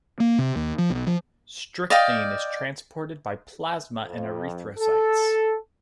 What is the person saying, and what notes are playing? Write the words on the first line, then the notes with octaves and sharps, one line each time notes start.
Strychnine is transported by plasma and erythrocytes.
A#3
C3
D#2
F3
B1
F3
D5 D#5 F5 G5
F2
A4